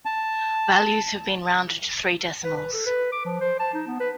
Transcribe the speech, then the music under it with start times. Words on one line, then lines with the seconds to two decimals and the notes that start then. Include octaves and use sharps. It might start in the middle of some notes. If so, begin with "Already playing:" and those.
Values have been rounded to three decimals.
0.05 A5
2.44 B4
2.56 B4
2.73 A4
2.86 B4
3.12 D6
3.25 F3
3.40 C5
3.59 A5
3.74 D#4
3.87 B3
4.00 B4